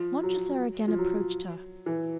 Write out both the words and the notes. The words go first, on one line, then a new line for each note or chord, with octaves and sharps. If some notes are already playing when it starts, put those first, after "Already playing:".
Montresor again approached her.
Already playing: F3
F#3
F3
F#3
E3